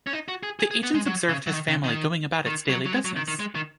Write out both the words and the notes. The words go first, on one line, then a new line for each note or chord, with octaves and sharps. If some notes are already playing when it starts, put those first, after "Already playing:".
The agents observed his family going about its daily business.
C#4
D#4
F#4
G#4
G#4
G#4
B3
G#3
F#3
C#3
F#3
D#3
C#3
D#3
D#3
F#3
F#3
G#3
F#3
D#3
D#3
G#3
D#3